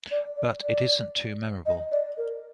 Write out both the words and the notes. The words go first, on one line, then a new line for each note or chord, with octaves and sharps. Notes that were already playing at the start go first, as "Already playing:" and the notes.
But it isn't too memorable.
D5
D5
D5
D#5
D5
A#4